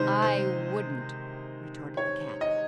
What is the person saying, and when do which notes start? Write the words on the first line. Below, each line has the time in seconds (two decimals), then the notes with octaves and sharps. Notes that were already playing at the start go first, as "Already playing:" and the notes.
"I wouldn't!" retorted the cat.
Already playing: C3 D#3 G#3 D#4 C5
0.22 C5
1.97 C#5
2.41 D#5